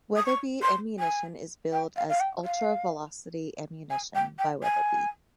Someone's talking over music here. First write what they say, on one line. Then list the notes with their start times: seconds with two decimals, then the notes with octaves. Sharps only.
Weatherby ammunition is billed as "Ultra Velocity Ammunition" by Weatherby.
0.16 D#6
0.26 C#6
0.62 C6
0.99 G#5
1.72 G5
1.96 F5
2.09 F5
2.20 G5
2.45 F5
3.90 G#5
4.15 G5
4.38 G5
4.63 G#5